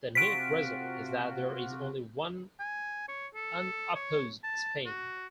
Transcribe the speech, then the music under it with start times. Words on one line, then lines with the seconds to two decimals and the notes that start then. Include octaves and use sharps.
The net result is that there is only one unopposed spin.
0.15 C3 F4 F#4 B6 D7
2.60 G#5
3.09 C#5
3.35 A4
3.95 C#5
4.44 A5
4.86 F#4